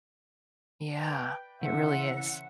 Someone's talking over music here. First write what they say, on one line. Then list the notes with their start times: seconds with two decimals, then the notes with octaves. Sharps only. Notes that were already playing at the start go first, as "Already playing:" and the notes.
Yeah. It really is.
0.97 B4 D5 G5
1.61 C#3 E3 A4 C5 E5 F#5